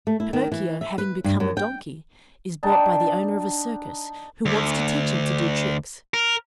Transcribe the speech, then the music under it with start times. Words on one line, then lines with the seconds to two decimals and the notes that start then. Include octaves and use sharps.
Pinocchio, having become a Donkey, is bought by the owner of a Circus, who wants to teach him to do tricks.
0.07 A3
0.20 E4
0.33 D#3
0.52 E3
0.81 E5
0.98 B4
1.24 G2
1.40 F#2
1.57 G5
2.63 D4 D#4 G5 A5
4.46 D2
6.14 A#4